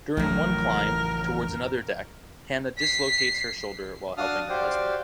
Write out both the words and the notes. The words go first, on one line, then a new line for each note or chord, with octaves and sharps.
During one climb towards another deck, Hannah dislocates her shoulder while helping her husband.
A1 F2 A2 C#3 F#3 A#4
B6 C7
D4 F#4 F5 A5 D#6 F6
F#4 G4 C5 D5 F5 G5